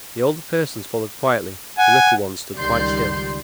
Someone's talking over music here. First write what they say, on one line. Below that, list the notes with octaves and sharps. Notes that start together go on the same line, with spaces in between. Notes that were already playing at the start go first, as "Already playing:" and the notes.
The older persons followed quietly; the little ones stood quite still.
F#5 G#5
C#2 D#3 G3 D5 C6 G6